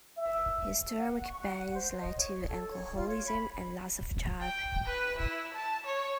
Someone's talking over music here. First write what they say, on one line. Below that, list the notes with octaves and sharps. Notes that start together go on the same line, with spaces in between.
His stomach pains led to alcoholism and loss of job.
E5
F#5
C#6
F#5
C5
D#5
C#5
A4
C#5
F4
C#5
B5
G5
B4
E4
A5
C#5